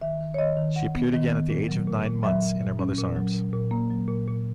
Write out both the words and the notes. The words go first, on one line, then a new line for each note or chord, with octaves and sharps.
She appeared again at the age of nine months in her mother's arms.
D#3 E5
D#3
C#5
D#3 D#5
D#3
D#3 F#5
B3
D#3
D#3
A#2
F#3
A#2
A#2
F#3 E5
A#2
A#2
C#4
A#2
F#3
A#2
A#2
A#3
F#3
A#2
A#2